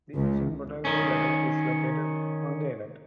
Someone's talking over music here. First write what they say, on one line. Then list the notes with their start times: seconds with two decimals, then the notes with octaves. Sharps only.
The Aswan Botanical Garden is located on the island.
0.15 C#2
0.85 D#3 C#4